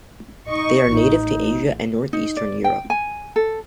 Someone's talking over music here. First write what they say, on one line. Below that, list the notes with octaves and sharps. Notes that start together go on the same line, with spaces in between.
They are native to Asia and northeastern Europe.
D#4 D#5 C#6
A1 D#4
D#4
D5
G5
G#5
A4